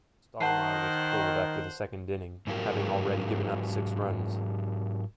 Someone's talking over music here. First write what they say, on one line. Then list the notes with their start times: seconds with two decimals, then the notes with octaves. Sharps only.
Stottlemyre was pulled after the second inning, having already given up six runs.
0.40 D#3 C5 F#5 A5 F#6 C7
2.47 G#2 F#3 F4 G4 A#4